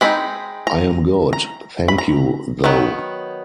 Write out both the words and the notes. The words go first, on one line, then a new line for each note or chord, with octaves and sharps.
I am good, thank you though!
G#3 C4 D#4 B5
A#5
A#5
B5
A#5
D#3 F#3 B3